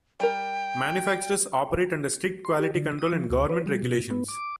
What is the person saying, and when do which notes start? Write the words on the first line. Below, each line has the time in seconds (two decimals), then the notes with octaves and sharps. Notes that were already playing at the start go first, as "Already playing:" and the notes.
Manufacturers operate under strict quality control and government regulations.
0.20 G3 A#4 G5
2.45 C6
2.59 G4
2.75 D3
2.99 D#6
3.13 F3
3.30 D2
3.49 B4
3.66 G3
3.83 B2
4.10 B3
4.28 D6